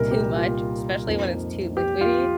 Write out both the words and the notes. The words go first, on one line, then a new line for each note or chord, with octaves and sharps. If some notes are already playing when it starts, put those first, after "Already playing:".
too much, especially when it's too liquidy.
Already playing: C2 A#2 G3 D#4 A#4
G4
F4
F2 F3 A#3 D#4
G4
F4